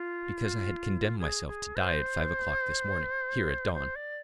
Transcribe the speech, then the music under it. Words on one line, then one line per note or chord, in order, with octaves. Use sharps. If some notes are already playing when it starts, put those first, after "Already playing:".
Because I had condemned myself to die at five o'clock this morning, here, at dawn.
Already playing: F4
G#4
G#4
C5
C5
D5